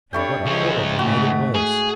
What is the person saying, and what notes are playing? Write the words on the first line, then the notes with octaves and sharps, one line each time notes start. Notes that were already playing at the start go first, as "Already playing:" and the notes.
And what a horrible night it was!
G3 A3 D4 C#5 G5
C#3 F3 G#3 C#5 D#5
G#2 A3 F#4
G#4